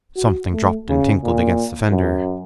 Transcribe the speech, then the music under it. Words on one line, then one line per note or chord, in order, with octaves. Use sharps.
Something dropped and tinkled against the fender.
F#4
A3
C#3
A#2
F#2